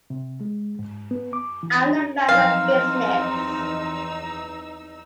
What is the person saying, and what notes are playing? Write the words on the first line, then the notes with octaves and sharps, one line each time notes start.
I am a man of business.
C3
G#3
G#2
B3
D6
E3
E2 F3 F#3 C4 D#4 F5 E6